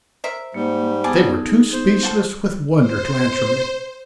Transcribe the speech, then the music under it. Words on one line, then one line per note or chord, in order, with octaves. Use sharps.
They were too speechless with wonder to answer me.
A#4 C5 E5
G#2 G3 A#3
B3 D#4 G#4 D5 G#5 A5
C5
F4 F#4 A4
C5